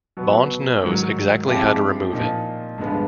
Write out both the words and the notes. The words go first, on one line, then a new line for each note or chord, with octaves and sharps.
Bond knows exactly how to remove it.
B2 F#3 B3
G#2 D#3 F#3
F3 G#3 C4 E4 G4
A#2 F3 A#3 D#4
G2 D3 F3 G#3 B3